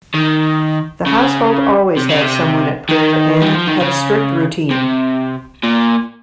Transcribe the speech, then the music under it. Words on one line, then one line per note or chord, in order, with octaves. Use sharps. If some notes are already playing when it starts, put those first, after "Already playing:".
The household always had someone at prayer and had a strict routine.
D#3
C#3
C3
C#3
C3
D#3
G3
F3
D#3
C#3
C3
A#2